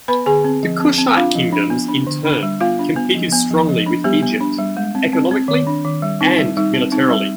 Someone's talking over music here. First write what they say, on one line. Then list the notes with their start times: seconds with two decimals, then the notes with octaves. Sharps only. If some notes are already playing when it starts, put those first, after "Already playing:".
The Kushite kingdoms in turn competed strongly with Egypt economically and militarily.
0.08 B3 B4 B5
0.26 D3 G#4 G#5
0.44 C4
0.63 F3
0.80 C4
0.98 C4
1.17 D4 F4 F5
1.35 F3
1.52 D4
1.70 B3
1.88 D4
2.07 D3
2.25 D4
2.43 G3
2.61 B3 F4 F5
2.79 D4
2.96 B3
3.15 F3
3.32 B3
3.50 F3
3.68 F3
3.86 D4
4.04 G3 B3 G4
4.22 B3
4.41 D4
4.59 G3
4.77 G#3
4.95 C4
5.13 C4
5.31 C4
5.48 D#3
5.67 D4
5.85 D#3
6.02 G3
6.21 C4 D#4
6.39 G3
6.57 G3 D#4
6.74 C4
6.92 C4 D#4
7.10 G3